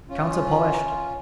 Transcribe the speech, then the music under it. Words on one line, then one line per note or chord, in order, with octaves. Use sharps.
Counter polished.
C#4 F4